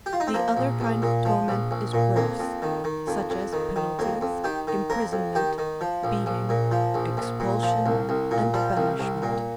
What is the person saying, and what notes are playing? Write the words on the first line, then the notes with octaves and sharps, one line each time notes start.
The other kind of torment is gross--such as penalties, imprisonment, beating, expulsion and banishment.
G4
F4
D#4
C4
F3 A#3
A#1
A#1
A#2
F3
A#1
A#1
A#2
F2 A#3
F2
D#3
D#3
F2
F2
D#3
D#3
F2 A#3
F2
D#3 G4
D#3
F2 A#4
F2
D#3 G4
D#3
F3
A#1
A#1
A#2
F3
A#1
A#1
A#2
F3
C2
C2
A#2
F3 G3
C2
C2
A#2